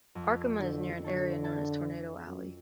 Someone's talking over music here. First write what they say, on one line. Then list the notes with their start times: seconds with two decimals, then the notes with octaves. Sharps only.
Arkoma is near an area known as Tornado Alley.
0.15 F2
0.60 D3
1.04 D3 A4 C#5
1.44 A5
2.27 F#2